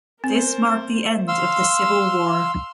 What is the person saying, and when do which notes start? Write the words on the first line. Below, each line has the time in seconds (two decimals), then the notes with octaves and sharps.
This marked the end of the civil war.
0.24 C4 A#4 C5
1.28 F5 C6 E6